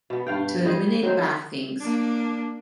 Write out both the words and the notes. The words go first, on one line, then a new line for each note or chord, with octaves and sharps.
To eliminate bad things.
B2 B3
G2 F5 G5
G3 G#4 C5 D#5
F#3 C4 D#4 C5
A#3 D4